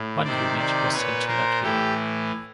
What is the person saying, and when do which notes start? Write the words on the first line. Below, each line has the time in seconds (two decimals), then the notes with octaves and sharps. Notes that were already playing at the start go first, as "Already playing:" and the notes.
One unit was sent to Latvia.
Already playing: A2
0.25 C3 D#3 C5 D5
0.59 C5 D5
0.94 A#2 B4 C#5
1.28 A#4 C5
1.63 A2 E3 G4 A4